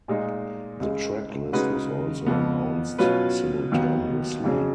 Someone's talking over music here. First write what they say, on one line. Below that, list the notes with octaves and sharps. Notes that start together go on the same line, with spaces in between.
The track list was also announced simultaneously.
A#2 G#3 D#4
C#2 C#3 G#3
C#3 G#3 D#4 F#4 B4
F2 F3 B3
B2 F#3 C#4 F4 B4
D#2 D#3 F#3 B3
F2 C#3 F#3 C#4 G#4